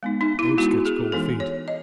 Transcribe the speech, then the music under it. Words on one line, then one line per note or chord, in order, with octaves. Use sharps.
Oates gets cold feet.
G#3 B3 D#4
D#4
E4
G#3 B3 D#4 F#4
G#4
E3 G#3 B3 D#4 A4
C#5
D#5